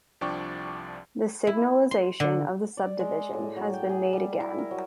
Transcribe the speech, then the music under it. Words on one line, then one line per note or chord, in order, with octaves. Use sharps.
The signalization of the subdivision has been made again.
C2 F3 D4 D5 G5 C#6
E4
C6
D3
D5
G#3
A2
F#3
G5
G#4
G3
E4
A#4
F#3